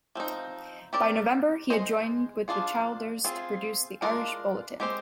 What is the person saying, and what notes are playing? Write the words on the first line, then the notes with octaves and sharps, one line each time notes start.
By November he had joined with Childers to produce the Irish Bulletin.
F3 C4 D#4
C4 G4 A#4 D5
G#3 D4 G#4 C5 D#5
F3 G#3 D4 F4 G#4
C4 F4 G#4
G#3 D4 F4 A#4
G#3 C4 G4 C5 D#5